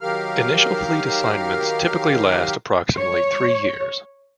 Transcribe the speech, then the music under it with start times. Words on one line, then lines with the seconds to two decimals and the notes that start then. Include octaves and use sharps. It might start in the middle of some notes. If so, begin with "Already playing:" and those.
Initial fleet assignments typically last approximately three years.
0.01 D#3 F#3 G4 A#4 F5 F6
2.97 C#5